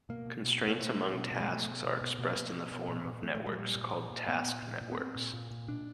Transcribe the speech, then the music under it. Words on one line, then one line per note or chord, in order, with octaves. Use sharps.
Constraints among tasks are expressed in the form of networks, called task networks.
B2 A#3
B2
B2
B2
A#3
B2 A3
B2
B2
B2
G#3
B2 A3
B2
B2
B2
B2 A#3
B2
B2
B2
A#2
A#2
A#2 A3
A3
A#2 G#3
F#3
A#2 G3
A#2
A#2
A#2
A#2 B3
A#2
A#2
A#2
B3
A#2 C4
A#2
A#2
A#2
B2 D4